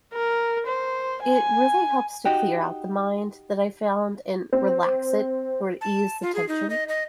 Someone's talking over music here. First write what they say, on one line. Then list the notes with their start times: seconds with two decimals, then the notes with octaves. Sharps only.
it really helps to clear out the mind that I found, and relax it, or ease the tension.
0.13 A#4
0.67 C5
1.23 G#5
2.25 D#4 F#4 G4
4.53 C4
5.81 A5
6.22 F4
6.35 G#4
6.49 D#4
6.70 D#5
6.89 D#5